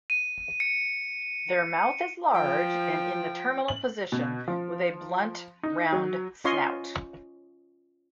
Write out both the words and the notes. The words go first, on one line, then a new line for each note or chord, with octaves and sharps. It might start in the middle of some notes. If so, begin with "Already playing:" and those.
Their mouth is large and in the terminal position with a blunt round snout.
D#7
C#7
F3 G5
F#7
B2
F3
D#4
F#3
C#4 F4 C#5 D#5 F5 C6